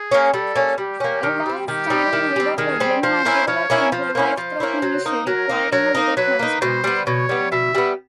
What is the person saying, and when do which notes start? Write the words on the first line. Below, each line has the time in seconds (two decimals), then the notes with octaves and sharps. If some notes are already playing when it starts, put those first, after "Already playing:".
A long-standing liver problem had developed into a life-threatening issue requiring a liver transplant.
Already playing: G#4
0.12 A#3 C#4
0.33 G3 A4
0.55 A#3 C#4
0.78 G3 G4
1.00 A#3 C#4
1.23 D#3
1.46 G3 C4
1.68 D#3 G4
1.90 G3 C4
2.13 D#3
2.36 G3 C4
2.58 D#3 G#4
2.80 G3 C4
3.03 F3 C5
3.25 A#3 C#4 E4
3.48 F3 C#5
3.70 A#3 C#4 E4
3.92 F3 C5
4.15 A#3 C#4 E4
4.37 F3 C5
4.60 A#3 C#4 E4
4.82 F#3
5.05 A#3 D#4
5.27 F#3 A#4
5.49 A#3 D#4
5.72 F#3 A#4
5.95 A#3 D#4
6.17 F#3 B4
6.39 A#3 D#4
6.61 B2 C5
6.84 G3 B3
7.07 B2 C#5
7.29 G3 B3
7.52 B2 E5
7.75 G3 B3